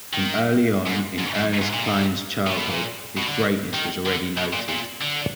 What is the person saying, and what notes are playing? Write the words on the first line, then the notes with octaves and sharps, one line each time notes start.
From early on in Ernest Klein's childhood, his greatness was already noted.
D#3
G#2
G#2
F#2
G#2
A#2
G#2
A#2
B2
A#2
B2
D3
D#3
D3
B2
A#2
A#2
D3